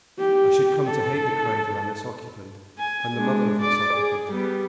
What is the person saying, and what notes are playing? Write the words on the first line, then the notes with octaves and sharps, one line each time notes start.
I should come to hate the cradle and its occupant, and the mother of its occupant.
G4
A4
G#5
G#3 D4
D5 D6
G#4
G3 B3